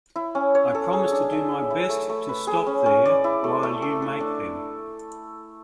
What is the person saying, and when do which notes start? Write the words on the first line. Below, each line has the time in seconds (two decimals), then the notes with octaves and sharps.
I promise to do my best to stop there while you make them.
0.16 E4
0.35 C#4
0.55 C#5
0.75 A4
0.93 G#4
1.12 D4
1.32 E5
1.51 C#5
1.70 E4
1.89 A3
2.09 A3
2.29 B4
2.47 G#4
2.67 C#4
2.86 C#4
3.05 D5
3.24 E4
3.44 A3
3.63 A3
3.82 A4
4.02 A4
4.20 D4